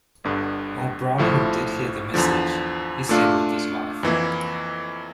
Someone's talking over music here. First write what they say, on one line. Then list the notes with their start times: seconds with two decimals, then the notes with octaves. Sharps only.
While Browning did hear the message, he stayed with his wife.
0.24 G1 G2 D3
1.18 A#1 A2 F3 A3 E4
2.14 E2 D3 F3
3.09 A#2 A3 D4 F4
4.03 F2 E3 A#3 E4